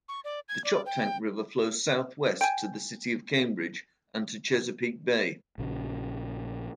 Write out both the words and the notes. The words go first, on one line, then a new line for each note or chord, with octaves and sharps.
The Choptank River flows southwest to the city of Cambridge and to Chesapeake Bay.
C#6
D5
G#6
D5
G5
G5 G#5
A#1 C#3